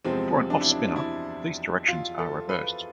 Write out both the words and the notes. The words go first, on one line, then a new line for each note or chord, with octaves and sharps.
For an offspiner, these directions are reversed.
E2 C3 F3 G#3 C4
D4
E4
D4
D4
E4
F4
A4
B4